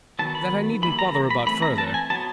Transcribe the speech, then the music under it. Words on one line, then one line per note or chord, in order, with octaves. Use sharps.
That I needn't bother about further....
D#3 F#3 B3 A5
B5
E3 G3 A#3 B5
A#5
A#5
B5
E3 A3 C4 B5
A#5
A5
G#5
F#3 B3 A5